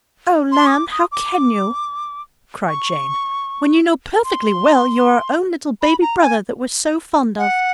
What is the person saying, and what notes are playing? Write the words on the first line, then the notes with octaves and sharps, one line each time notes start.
'Oh, Lamb! how can you?' cried Jane - 'when you know perfectly well you're our own little baby brother that we're so fond of.
C6
D#6
D6
D#6
D6
C#6
C6
B5
A#5
G#5
F#5